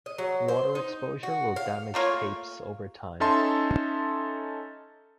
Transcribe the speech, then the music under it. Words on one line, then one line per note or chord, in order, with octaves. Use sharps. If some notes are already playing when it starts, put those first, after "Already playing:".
Water exposure will damage tapes over time.
D#5
F#3
C5
D#4
F#4
F5
A3 A#3 F4 C#5
C#4 D#4 A4 E5 A5 C6